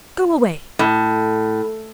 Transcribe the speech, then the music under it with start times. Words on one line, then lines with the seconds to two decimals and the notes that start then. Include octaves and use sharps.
Go away!
0.79 A2